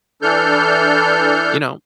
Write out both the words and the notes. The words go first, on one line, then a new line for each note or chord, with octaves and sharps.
you know,
E3 D4 A4 F6 G6